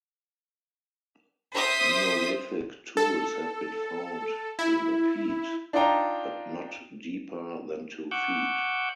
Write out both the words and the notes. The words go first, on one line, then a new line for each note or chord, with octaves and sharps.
Neolithic tools have been found in the peat, but not deeper than two feet.
C5 E5 D#6 B6
A4
E4
D4 D#4 F4 D#5 G5 A#5
F#5 C#6 D6 E6 F#6 G6